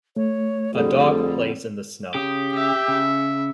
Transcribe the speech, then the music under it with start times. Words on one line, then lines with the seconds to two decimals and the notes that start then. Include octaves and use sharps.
A dog plays in the snow.
0.16 A3 C#5
0.74 F2 D3 G3 G#4
2.14 C#3 G4 D#6
2.55 E5
2.88 C#3